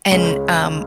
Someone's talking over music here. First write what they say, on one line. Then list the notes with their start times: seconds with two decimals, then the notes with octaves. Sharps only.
And, um,
0.11 C#2 C#3 G#3 C#4